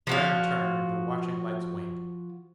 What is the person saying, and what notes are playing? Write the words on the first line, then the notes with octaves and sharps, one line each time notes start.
Graham turned, and the watching lights waned.
F3 F#4 F5